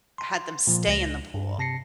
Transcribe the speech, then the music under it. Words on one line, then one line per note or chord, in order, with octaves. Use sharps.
had them stay in the pool
C6
A#2 F3
C#2 A#6
G2
C3 A5 A#6 C7 C#7